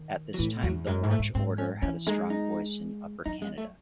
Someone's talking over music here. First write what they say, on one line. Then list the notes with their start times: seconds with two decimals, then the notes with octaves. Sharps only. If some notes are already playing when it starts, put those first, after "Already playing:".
At this time, the Orange Order had a strong voice in Upper Canada.
Already playing: D#3
0.34 F#3
0.39 A2 E3
0.63 E2 F#3
0.87 F#2 G#3
1.03 G#2
1.11 A3
1.19 G#2
1.35 G#2 C4
1.58 C#4
1.82 E3 C#4
2.07 G#3 D#4
2.30 D#4
3.26 F#3 D#4
3.42 G#3
3.58 A3